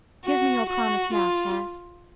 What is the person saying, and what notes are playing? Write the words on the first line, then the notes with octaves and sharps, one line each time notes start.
Give me your promise now, Cass.
F#4
F#4
F4